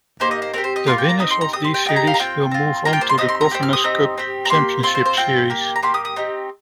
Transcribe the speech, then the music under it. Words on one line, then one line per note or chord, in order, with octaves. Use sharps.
The winners of these series will move on to the Governors' Cup Championship Series.
A#3 D#4 G4 C5
D#5
C5
C4 D#4 G4 A#4
C5
D#5
A#3 F4 C6
G5
A#5
C4 D#4 G4 D#6
C6
A#5
C4 G4 D#6
C6
G5
C4 D#4 G4 G5
A#5
F5
A#5
C4 F4 G5
C4 F4
A#3 F4 A#5
G5
C5
C6
C4 D#4 G4 D#6
C6
A#5
C4 G4 G5
F6
D#6
C4 D#4 G4
C4 G4
A#5
A#3 G4 C6
C4 F4 C6
C5
C5
C4 F4 G5
A#3 G4
A#5
A#3 G4 C6
D#6
D#6
C4 D#4 G4